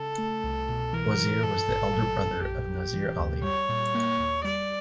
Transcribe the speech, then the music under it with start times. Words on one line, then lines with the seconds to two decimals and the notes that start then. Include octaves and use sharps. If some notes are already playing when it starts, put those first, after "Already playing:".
Wazir was the elder brother of Nazir Ali.
Already playing: C#3 A4
0.18 A3
0.44 C2
0.69 B2
0.93 E3 A#4
1.18 E3
1.43 G2 A4
1.68 G#1
1.93 F#3
2.19 F#2
2.43 A#1 G4
2.69 A#1
2.93 E3
3.19 D2
3.43 G3 C#5
3.69 A#2
3.94 A#3
4.19 D#2
4.44 G3 D5